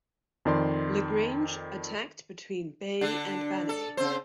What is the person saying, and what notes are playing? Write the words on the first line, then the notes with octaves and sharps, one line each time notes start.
Lagrange attacked between Baye and Bannay.
F2 D#3 D5 C6
D3 D4
A4
C#3 C4 C5